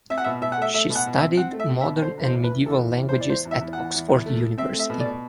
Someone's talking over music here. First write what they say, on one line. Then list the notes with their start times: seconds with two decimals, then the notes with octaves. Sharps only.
She studied Modern and Medieval Languages at Oxford University.
0.10 C4 E5
0.18 F#5
0.24 B2 E5
0.41 B2 E5
0.52 F#5
0.58 A3 E5
0.74 A3 E5
0.90 B2
0.95 F#5
1.06 B2
1.17 E5
1.22 C4
1.37 C4 F#5
1.53 A3
1.60 E5
1.70 C4
1.81 E5
1.86 B2
2.02 D3 C5
2.18 E2
2.24 C5
2.34 E2
2.44 B4
2.50 E2
2.66 E2 A4
2.81 E2
2.98 E2
3.09 C5
3.13 E2
3.21 D5
3.30 E2 C5
3.45 E2
3.51 E5
3.61 E2
3.73 E2 F#5
3.94 E2
4.10 E2
4.26 A3
4.42 A3
4.58 C4 E5
4.73 A3
4.79 E5
4.90 B2
5.00 D5
5.05 B2